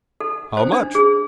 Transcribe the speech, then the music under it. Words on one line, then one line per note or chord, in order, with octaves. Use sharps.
How much?
A4
C5
D4
G#4